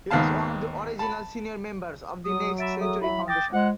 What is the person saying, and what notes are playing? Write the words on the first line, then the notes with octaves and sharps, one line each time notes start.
He was one of the original senior members of the Next Century Foundation.
D#2 G#2 B3 F5 A5
A5 B5
F#3 D#6
E5 B5 A6 D7
G#4 A4 E5 D#6
E4 E5 B5
G5 D6 D#6 A6 A#6
G#3 F4 C5 D#5 F#5